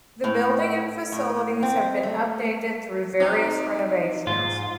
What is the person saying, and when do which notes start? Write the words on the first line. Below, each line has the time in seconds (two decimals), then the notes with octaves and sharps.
The building and facilities have been updated through various renovations.
0.24 A2
1.12 A2
1.63 C4
2.03 A3
3.20 C3 D#4
4.27 G#2 F4